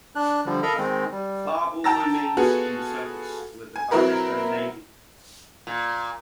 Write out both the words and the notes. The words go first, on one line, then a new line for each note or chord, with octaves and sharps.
"Babur" remains in service with the Pakistan Navy.
D4 F#6
D3 F3 G3
A4 A#4 D#5 F5 A#5 B5
D#3 G#3 C4
G3
G5 A5 A#5 E6 A6 A#6
B3 F4 F#4 G#4 A4
G#5
F#3 C4 E4 A#4 B4
A#2